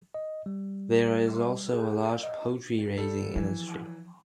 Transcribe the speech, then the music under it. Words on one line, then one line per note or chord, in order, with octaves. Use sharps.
There is also a large poultry raising industry.
D#5
G3
G#4
D#5
G3 A4
E3 F3